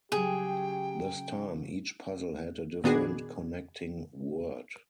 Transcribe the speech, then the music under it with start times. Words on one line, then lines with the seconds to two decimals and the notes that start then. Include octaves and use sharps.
This time, each puzzle had a different connecting word.
0.12 C#3 F#3 G4 G#4 G5
2.84 A#2 D#3 B3 D4 F#4 G#4